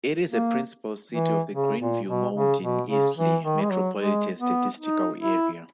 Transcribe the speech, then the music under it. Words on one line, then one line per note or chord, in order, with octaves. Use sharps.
It is a principal city of the Greenville-Mauldin-Easley Metropolitan Statistical Area.
A#3
E3
C#3
A#2
B2
C#3
B2
C#3
E3
D#3
G#3
F#3
G#3
B3
D#4
E4